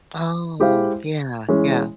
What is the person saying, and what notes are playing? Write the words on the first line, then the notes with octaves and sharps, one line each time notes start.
Oh, yeah, yeah.
G#3 E4 G4 C5 F5
E3 G#3 C#4